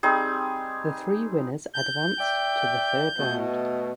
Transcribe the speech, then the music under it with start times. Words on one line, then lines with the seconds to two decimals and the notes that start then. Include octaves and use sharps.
The three winners advanced to the third round.
0.03 G3 C4 D#4 G#4
1.74 G6
2.19 D5 E5 G5
3.18 B2 A3